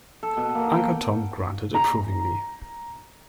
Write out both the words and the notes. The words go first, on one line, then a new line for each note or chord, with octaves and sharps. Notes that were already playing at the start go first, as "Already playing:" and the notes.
Uncle Tom grunted approvingly.
A4
B2
A#3
G5
A#5